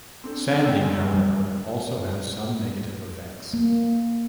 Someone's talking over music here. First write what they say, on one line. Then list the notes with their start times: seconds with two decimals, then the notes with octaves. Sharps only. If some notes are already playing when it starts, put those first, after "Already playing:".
Sanding however also has some negative effects.
0.24 C4 D4 A4
0.65 G5 E6
0.79 G1 G#3 G#5
1.14 G3
3.54 A#3